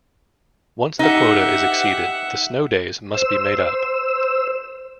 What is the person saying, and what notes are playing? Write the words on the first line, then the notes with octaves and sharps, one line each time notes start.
Once the quota is exceeded, the snow days must be made up.
D#4 G4 E5 F#5
C5 E6